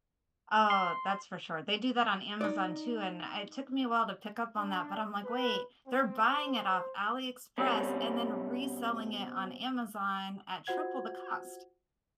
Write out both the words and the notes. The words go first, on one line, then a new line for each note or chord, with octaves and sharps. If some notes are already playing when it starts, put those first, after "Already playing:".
Oh, that's for sure. They do that on Amazon too, and I it took me a while to pick up on that, but I'm like, "Wait, they're buying it off Ali Express, and then reselling it on Amazon at triple the cost."
C6
D#4 D5
D4
B4
C4
C5
B2 G3 C4 C#4
F4 F#4 C5 F#5 G#6